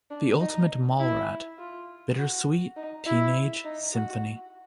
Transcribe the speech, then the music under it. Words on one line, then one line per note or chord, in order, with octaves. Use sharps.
The ultimate mallrat, bittersweet teenage symphony.
D4
D#4
E4
F4
F#4
D#4
E4
D#4
F#4